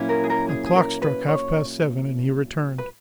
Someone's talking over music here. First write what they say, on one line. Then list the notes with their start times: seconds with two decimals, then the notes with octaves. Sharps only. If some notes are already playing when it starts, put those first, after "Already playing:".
A clock struck half-past seven, and he returned.
Already playing: A#2 F#3 A#3 C#4 E4
0.09 A#4
0.24 G#4
0.30 A#4
0.49 G#4
0.66 G#4
0.75 A#4
1.02 B4
1.28 C#5
2.78 B4